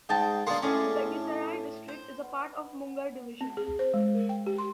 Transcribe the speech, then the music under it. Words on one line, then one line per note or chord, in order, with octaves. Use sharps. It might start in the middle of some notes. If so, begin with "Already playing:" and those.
Begusarai district is a part of Munger division.
G#2 D#4 G5 A5
A#3 B3 D4 C6
A2 C#4 D4 G#4
C5
C4
G#4
C5
G#3
A#4
G5
G4
C6